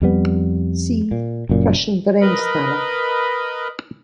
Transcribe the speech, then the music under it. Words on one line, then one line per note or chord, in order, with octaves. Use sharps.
See Prussian Vereinsthaler.
F2 G3 B3
A#2
F#1 F#2 A#2
A#4 B4 D#5 B5